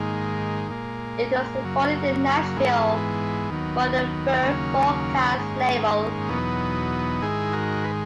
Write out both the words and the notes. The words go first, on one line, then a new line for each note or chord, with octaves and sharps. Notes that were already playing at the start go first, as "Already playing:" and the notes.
It was recorded in Nashville for the Verve Forecast label.
Already playing: G#2 D#3 G#3 A#3
A#2 G#3
F#2 C#3 F#3
G#2 E3 G#3 B3
D#2 D#3 F#3
D#2 C#3 F#3 A#3 C#4
G#2 D#3 G#3
E2 B2 F#3 B3 D#4
G#2 D#3 G#3 E4 G#4
F#4 A#4
B4